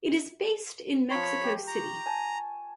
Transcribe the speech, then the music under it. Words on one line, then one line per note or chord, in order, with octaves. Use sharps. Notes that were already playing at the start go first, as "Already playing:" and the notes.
It is based in Mexico City.
F3 C#5 A#5 B5 C#6
G4
A#5
G#5 A5